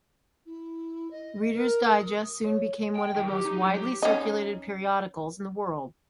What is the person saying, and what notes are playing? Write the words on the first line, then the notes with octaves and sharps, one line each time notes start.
"Reader's Digest" soon became one of the most widely circulated periodicals in the world.
E4
D#5
A#4
D#6
C#5
G5
D#3
G4
D#4
F#3
G4
C#4 D#4